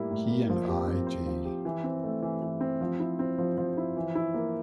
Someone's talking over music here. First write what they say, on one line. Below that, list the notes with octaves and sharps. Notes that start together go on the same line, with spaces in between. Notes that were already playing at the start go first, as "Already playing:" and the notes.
He and I. J.
Already playing: A2 G3 A#3 E4
A2
A#3
F3
G4
C4
C5
F3
G4
E3
C4
A3
E3
E3
C4
F3
E4
C4
F3
F3
E4
E3
E4
A#3